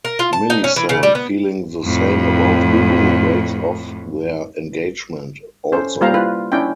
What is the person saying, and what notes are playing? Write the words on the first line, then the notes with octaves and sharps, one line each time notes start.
Millicent, feeling the same about Hugo, breaks off their engagement also.
A#4
F4
A5
D#4
C#4
E3
C#3
G3
B3
F2 A2
C#4 A4 C5
G3 A#3 F4 C5 F5 A#5
E4 F4 B4
C#4 D4 E4 G5